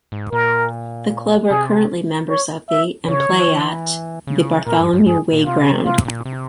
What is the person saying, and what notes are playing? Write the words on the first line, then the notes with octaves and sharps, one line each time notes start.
The club are currently members of the and play at the Bartholomew Way Ground.
G#2
A#2 A#4
C3 G#4
C#5
E5
C#3 C#5
E3
E3
C#3
A#2 A#4
G2
G2
G2 G#4
A#2
C3 F4
C3 F4
A#2
C3